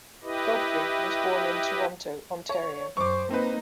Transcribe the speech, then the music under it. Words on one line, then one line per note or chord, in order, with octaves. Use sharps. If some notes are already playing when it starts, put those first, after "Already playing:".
Godfrey was born in Toronto, Ontario.
E4 G4 B4 D#5
C#5
F#2 C5 C#6 D6
A#3 C4 D#4 B4